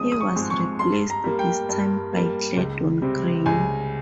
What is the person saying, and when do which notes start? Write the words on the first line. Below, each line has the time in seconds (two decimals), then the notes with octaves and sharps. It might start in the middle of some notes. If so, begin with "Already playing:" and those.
He was replaced this time by Glendon Crain.
Already playing: G#1 G#2 F3 G#3 C4 D#6
0.12 D#6
0.21 C#6
0.35 G#2 F3 G#3 C4
0.50 C#6
0.79 G2 C6
1.10 A#5
1.24 G3 A#3
1.39 G5
1.69 G2
2.13 G3 A#3
2.57 C#2
3.02 C3 G3 C4
3.46 C#2 G#5